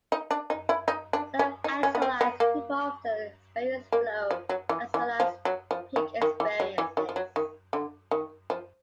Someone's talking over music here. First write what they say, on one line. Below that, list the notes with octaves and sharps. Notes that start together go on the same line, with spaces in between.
Self-actualized people often experience flow, as well as peak experiences.
D#4
D4
D#4
E4
D#4
D4
C#4
D#4
C#4
B3
C4
B3
A#3
A#3
F3
F#3
E3
E3
F3
F#3
F3
D#3
D#3
E3
F#3
E3
D#3
F3
F#3
D#3
D3
D#3
F3